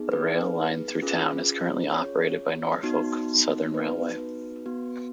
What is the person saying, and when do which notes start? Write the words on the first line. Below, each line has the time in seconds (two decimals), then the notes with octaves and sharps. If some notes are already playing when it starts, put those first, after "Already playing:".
The rail line through town is currently operated by Norfolk Southern Railway.
Already playing: B3 D#4 G#4
0.12 B4
1.02 C#4 F4 G#4
1.93 C#5
2.83 B3 D#4 F#4
3.74 B4
4.66 B3 F#4